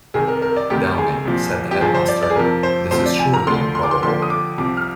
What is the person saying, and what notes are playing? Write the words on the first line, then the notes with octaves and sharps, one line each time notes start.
Downing," said the headmaster, "this is surely improbable.
C2 C3 D#3 G#4
A#4
A#4
D5
D2 C3 D#3 G4
G#4
C2 A#2 F3
G4
G2 F3 G#4
C5
D5
D5
G#4
F2 C3 F3 A#4
C5
D2 C3 F3 C5
D5
G#5
A#5
D2 D3 F3 C6
C6
D6
C6
D#2 D3 F3 C6
D#6
D6
C2 C3 F3 D6
F6